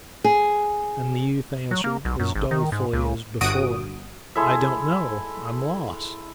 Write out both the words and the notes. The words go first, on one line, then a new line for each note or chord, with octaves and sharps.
And the youth answered, as dolefully as before, "I don't know; I'm lost."
G#4
F#3
A#3
B1
F#2
G#1
D#3
G#2
C#2
G1 F#4 D#6 D7 D#7
G#3 E4 A4 E5